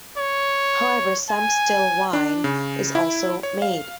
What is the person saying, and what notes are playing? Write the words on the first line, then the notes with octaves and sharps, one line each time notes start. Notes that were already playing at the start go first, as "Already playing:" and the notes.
However, some still wine is also made.
C#5
G#5
D4
C#3
E4
C#5
F5